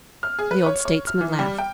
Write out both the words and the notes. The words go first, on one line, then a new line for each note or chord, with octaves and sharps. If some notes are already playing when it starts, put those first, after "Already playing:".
The old statesman laughed.
F6
G#4
B4
C#5
C#5
F6
E3
G3
G5